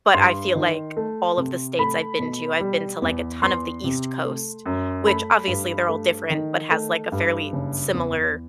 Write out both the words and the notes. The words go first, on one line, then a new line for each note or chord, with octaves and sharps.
but I feel like all of the states I've been to, I've been to, like, a ton of the East Coast, which obviously, they're all different, but has, like, a fairly similar,
G2 C6
D#3
A3
C3
A3 B5
B2
G3
E2
E2 C6
C3
A3
F#2
A3 B5
G2
A3
D#3
A3
G2
F#1
E2